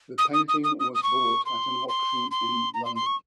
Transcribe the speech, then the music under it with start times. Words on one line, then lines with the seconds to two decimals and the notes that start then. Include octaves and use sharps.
The painting was bought at an auction in London.
0.18 D#6
0.34 D#6
0.48 D#6
0.64 D#6
0.80 D#6
0.95 D#6
1.03 C#6
1.46 C6
1.89 C6
2.31 C6
2.74 A#5
2.85 C6
2.96 C6
3.06 C#6